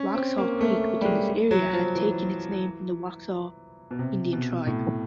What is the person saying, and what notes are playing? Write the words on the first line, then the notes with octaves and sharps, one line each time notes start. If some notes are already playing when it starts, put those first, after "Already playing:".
Waxhaw Creek within this area had taken its name from the Waxhaw Indian tribe.
Already playing: C#4
C4
A#3
A3
G3
G#3
F#3
F3
E3
B2
C3
B2
A2